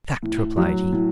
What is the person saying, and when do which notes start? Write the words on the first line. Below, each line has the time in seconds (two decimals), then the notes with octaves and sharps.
"Fact!" replied he.
0.23 A2
0.57 F#3
0.93 A2